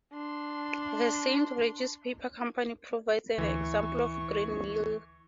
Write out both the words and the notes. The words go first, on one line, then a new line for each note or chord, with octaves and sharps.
The Saint Regis Paper Company provides an example of greenmail.
D4 C6
D2 E3 C#6